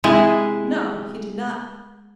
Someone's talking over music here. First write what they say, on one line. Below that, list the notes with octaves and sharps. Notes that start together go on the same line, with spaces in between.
"No, he did not."
C3 G#3 E4 G#4